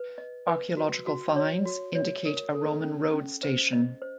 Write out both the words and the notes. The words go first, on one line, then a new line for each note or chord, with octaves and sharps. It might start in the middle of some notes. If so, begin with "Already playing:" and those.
Archaeological finds indicate a Roman road station.
Already playing: B4
D#5
B4
F#4
F#4
C#5
F#4
C#5
A#4
A4
C#4
C#4
C5
D#5
C5